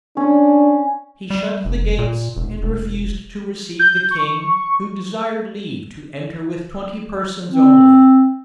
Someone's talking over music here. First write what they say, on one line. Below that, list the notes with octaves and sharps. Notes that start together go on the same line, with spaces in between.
He shut the gates, and refused to receive the king, who desired leave to enter with twenty persons only.
C#4 D4
G3
F1
A#2
E1
E1
G6
C#6
C4